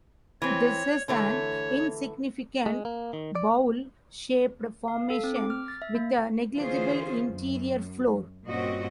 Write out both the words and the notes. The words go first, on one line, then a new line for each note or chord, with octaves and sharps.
This is an insignificant, bowl-shaped formation with a negligible interior floor.
E3 C4 C#5
D3 E3 A3 C#5
G#3
A#3
D#3
D5
F5
A4
C4
D6
F6
A6
E5
A#3
D3 E3 C#4 F4 G#4 C5
F#2
G2 A#2 C4 C#4 F#4 D#5